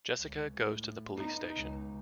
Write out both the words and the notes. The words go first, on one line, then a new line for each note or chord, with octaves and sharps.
Jessica goes to the police station.
C#2
A2
B3 D#4
C#2